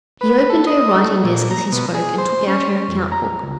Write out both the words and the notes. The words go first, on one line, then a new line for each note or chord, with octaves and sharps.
He opened her writing-desk as he spoke, and took out her account-book.
B4
A4
D#5
A3
A#2
A#5
B2
G#4
C5
C#4
F2
A#5
C#2